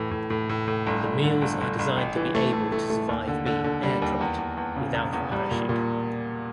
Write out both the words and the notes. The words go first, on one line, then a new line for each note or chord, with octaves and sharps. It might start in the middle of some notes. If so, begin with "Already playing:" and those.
The meals are designed to be able to survive being air-dropped, without a parachute.
Already playing: A2 E3
A2
A2
A2
A2
G1
G1
D3
G1
G1
G1
A1
E3
A3
A3
A3
A3
D#2
D3
D3
D3
G3
D#2
E2
E2
E2
C#3
E1
E2
G3
A#2
A#2